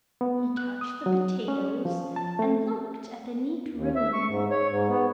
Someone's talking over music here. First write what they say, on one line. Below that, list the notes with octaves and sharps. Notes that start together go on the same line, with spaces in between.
He touched the potatoes and looked at the neat room.
B3
F#6
D#6
F#3
C#4
F3
A5
A3
D#2
E5
C#6
G#2
C#5
G#2
B3